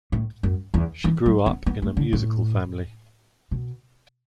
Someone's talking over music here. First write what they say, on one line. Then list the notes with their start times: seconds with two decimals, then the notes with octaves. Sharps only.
She grew up in a musical family.
0.12 A2
0.43 F#2
0.74 E2
1.04 E3
1.26 F#3
1.46 B3
1.66 B3
1.82 A3
1.97 D3
2.13 A2
3.51 B2